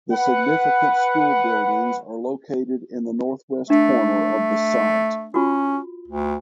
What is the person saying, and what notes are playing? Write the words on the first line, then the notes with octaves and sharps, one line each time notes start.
The significant school buildings are located in the northwest corner of the site.
B4 F#5
A3 D4
C#4 F4 F#4
D2